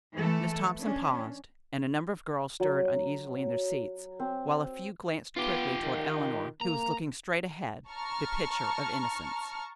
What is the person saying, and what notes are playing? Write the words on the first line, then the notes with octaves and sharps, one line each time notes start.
Miss Thompson paused and a number of girls stirred uneasily in their seats, while a few glanced quickly toward Eleanor, who was looking straight ahead, the picture of innocence.
E3 A3 A4
C#4 D4
F#3
C4
B3 F4 G4
D#3
A#3 A#5
A5 A#5 C#6 F6